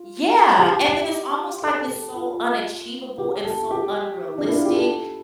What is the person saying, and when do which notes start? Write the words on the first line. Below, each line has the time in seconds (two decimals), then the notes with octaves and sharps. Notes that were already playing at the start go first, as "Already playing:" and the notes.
yeah. And then it's almost like, it's so unachievable, and so unrealistic,
Already playing: F4
0.59 G4
1.62 A4
1.88 A4
2.14 F4
3.18 G4
3.44 A4
3.71 G4
4.38 D4
4.47 E4
4.56 F4
4.65 G4
4.74 A4